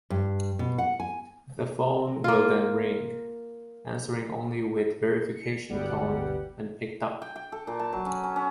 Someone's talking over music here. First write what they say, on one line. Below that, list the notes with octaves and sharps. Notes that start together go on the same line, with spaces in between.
The phone will then ring, answering only with a verification tone when picked up.
G2
B2
F#5
G#5
A#3 F4
C#7
G1 D2 G3 B3 G4 F#5
G5
G5
A4
A#2
A5
F#3
C#4
C#4
C#4